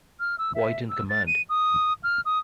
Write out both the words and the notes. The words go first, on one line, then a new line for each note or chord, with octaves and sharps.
White in command.
F6
E6
E5
E6
A6
D#7
D#6
F6
D#6